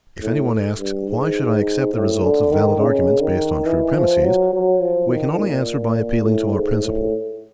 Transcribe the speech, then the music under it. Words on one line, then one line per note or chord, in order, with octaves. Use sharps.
If any one asks: 'Why should I accept the results of valid arguments based on true premisses?' we can only answer by appealing to our principle.
A2
G2
G#2
A2
D3
D#3
C#3
D#3
E3
F3
F#3
F#3
F3
D#3
A#2
A2
G#2
A2